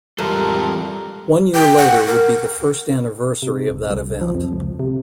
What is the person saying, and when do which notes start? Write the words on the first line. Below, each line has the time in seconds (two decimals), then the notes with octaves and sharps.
One year later would be the first anniversary of that event.
0.18 F2 E3 G3 G#3 A4 A#4
1.55 G5
1.77 F#5
2.07 A#4
3.42 C3
3.69 D#1
3.91 C2
4.21 F3
4.35 F2
4.53 C#2
4.80 C3